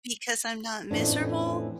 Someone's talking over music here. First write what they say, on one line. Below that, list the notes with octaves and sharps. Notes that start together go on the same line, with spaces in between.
because I'm not miserable
F2 A2 E3 C#4 D4